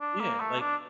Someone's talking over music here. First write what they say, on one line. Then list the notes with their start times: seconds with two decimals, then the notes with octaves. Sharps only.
Yeah, like
0.01 D4
0.20 A#3
0.40 A3
0.60 D4